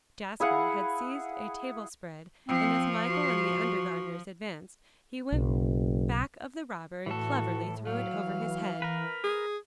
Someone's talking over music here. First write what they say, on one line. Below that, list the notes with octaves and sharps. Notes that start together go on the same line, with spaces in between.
Jasper had seized a table-spread, and as Michael and the undergardeners advanced, he went back of the robber, and cleverly threw it over his head.
E4 G#4 F5 F#5
F3 C4
F#4
F#1 B1
A2 E3 F#4 A4
F#3 F5
E3
A#4 B4
G#4